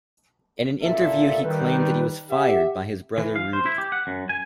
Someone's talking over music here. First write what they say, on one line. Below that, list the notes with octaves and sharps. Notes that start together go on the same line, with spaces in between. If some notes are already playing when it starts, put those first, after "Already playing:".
In an interview he claimed that he was fired by his brother Rudy.
A1 A#2 A4 E5
D#3 G3 B4
G4 E5 F#5
E3
F5
C5
E4
G4
F#5
F#2
G#5